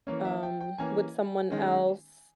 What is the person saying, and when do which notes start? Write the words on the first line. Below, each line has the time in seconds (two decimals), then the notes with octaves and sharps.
um, with someone else,
0.07 E3 A#3 C#4 C#5
0.25 E5
0.43 G5
0.61 G5
0.78 E3 A#3 C#4 G#5
1.50 D#3 G#3 C#4